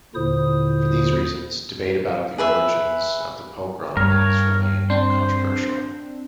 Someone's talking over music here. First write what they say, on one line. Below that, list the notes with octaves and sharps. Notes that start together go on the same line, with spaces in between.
For these reasons, debate about the origins of the pogrom has remained controversial.
D#2 A#2 D3 E4 C5 D#6
G#4 B4 E5
G2 A#4 C#5
C4 D4 C5